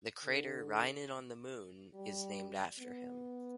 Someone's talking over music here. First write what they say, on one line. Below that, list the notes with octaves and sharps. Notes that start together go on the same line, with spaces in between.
The crater Rynin on the Moon is named after him.
D3
G3
B3